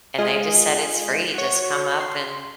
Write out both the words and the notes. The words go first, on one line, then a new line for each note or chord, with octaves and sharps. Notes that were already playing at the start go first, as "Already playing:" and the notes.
and they just said "It's free, just come up and"
G#3 F4 G#4 D#5
F#4 C#5
C6